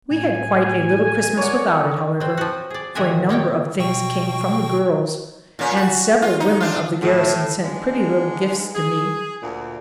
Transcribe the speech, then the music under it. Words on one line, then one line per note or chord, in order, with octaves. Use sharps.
We had quite a little Christmas without it, however, for a number of things came from the girls, and several women of the garrison sent pretty little gifts to me.
A2 G#5
A#4 C#5 D5 F#5
F#3 C4
F3 F#4
G#4 D5
A#2 D#3 F#4 A#4 E5 G#5
D#3 A#3 C#5 G5
B2 G5 C#6
A#2 C#4
F#4
F4
D#4
D4 F4
A2
G#2 G#3 B3 D4
G#4
D2 A#2